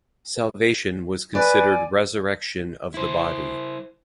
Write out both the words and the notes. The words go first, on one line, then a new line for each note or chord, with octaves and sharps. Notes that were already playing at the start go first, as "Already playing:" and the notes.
"Salvation" was considered resurrection of the body.
B4 D5 G#5
E4 C5